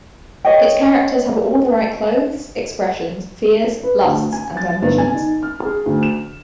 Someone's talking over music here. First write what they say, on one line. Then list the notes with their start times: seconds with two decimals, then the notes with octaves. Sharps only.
Its characters have all the right clothes, expressions, fears, lusts and ambitions.
0.45 C#5 D#5 G5
3.83 B4
4.04 D2
4.32 G#5
4.57 A6
4.83 G1
4.98 G#5
5.13 D#4
5.43 F6
5.65 G#4
5.86 D2
6.03 E7